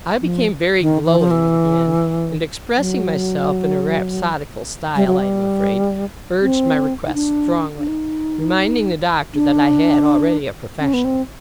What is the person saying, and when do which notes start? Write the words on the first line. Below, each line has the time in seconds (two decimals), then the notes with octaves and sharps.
I became very glowing again, and, expressing myself in a rhapsodical style, I am afraid, urged my request strongly; reminding the Doctor that I had already a profession.
0.21 F3
0.81 D#3
1.05 E3
1.19 F3
1.31 E3
2.77 F#3
4.96 G3
5.07 F#3
5.19 G3
6.42 C4
7.07 D#4
7.14 D4
7.79 D4
7.88 D#4
9.34 D4
10.80 C#4
10.94 B3
11.05 C4